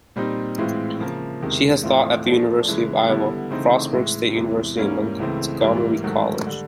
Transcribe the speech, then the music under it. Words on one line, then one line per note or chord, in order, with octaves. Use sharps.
She has taught at the University of Iowa, Frostburg State University, and Montgomery College.
A#2 G3 C4 D#4
A2 E3 G#3 C4 F4
C#3 F3 A#3
E2 C3 D#3 G#3
A2 E3 A3 C4 F4
F3 A3 D4
C#3 E3 G#3
D3 G3 B3 E4
C#3 E3 A3 C4 D#4
A2 E3 G#3
E2 C3 E3 G#3
G#2 E3 G3 A#3 C#4
C#2 C#3 E3 A3 C4
G#2 E3 G3 A#3
G#2 D#3 F#3 A3
D3 G3